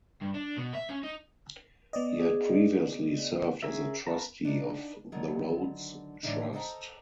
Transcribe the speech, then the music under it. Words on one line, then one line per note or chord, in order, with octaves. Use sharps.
He had previously served as a Trustee of the Rhodes Trust.
G2
D4
B2
E5
C#4
D#4
B3 D5 D#5
G#4
C#4 G#4 A#4 E5
A#4 B4 A5 A#5
D4 D#4
D3 D#3 F#3
A2 D3 E3 D4 D#4
A4 C5 D#5 G5 G#5 A#5